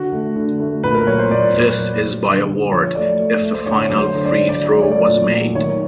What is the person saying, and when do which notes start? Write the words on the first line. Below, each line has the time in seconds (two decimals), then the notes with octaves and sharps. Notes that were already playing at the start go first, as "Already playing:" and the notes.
This is by award, if the final free throw was made.
Already playing: D3 F#4
0.12 A3
0.36 D3
0.59 A3
0.84 A#2 B4
0.95 A#4
1.07 F#3 C#5
1.19 C5
1.30 A#2 D5
1.54 A#2 D5
1.78 F#3
2.01 F#3
2.26 D3
2.48 F#3
2.72 F3 C#5
2.95 A3 D5
3.20 A3
3.43 A3
3.54 C5
3.66 D3 C#5
3.82 C#5
3.90 F#3
3.98 C5
4.14 D3 C#5
4.25 D5
4.37 D3
4.49 D5
4.60 F#3
4.71 D5
4.82 A3 C#5
4.92 D5
5.08 A#2
5.31 F#3
5.55 D#3 C#5